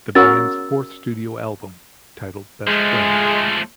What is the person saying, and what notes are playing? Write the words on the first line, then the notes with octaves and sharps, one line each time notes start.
The band's fourth studio album, titled Best Friends?
C#4 F#4 A#4 E6 A6
F3 G#3 A3